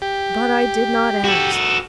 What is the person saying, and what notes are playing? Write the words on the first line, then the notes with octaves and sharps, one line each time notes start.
'But I did not ask.
G4
F#4 A4